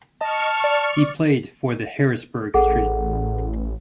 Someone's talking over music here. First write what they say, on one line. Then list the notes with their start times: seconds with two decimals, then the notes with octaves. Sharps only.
He played for the Harrisburg–St.
0.21 D#5 A5 C#6 F6
0.64 D5
2.54 A1 G#4 A4 F#5